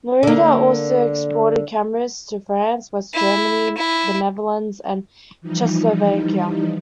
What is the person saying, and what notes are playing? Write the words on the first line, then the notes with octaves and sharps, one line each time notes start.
Norita also exported cameras to France, West Germany, the Netherlands, and Czechoslovakia.
D3 A#3
E4
E4
E3 F3 G3 D#4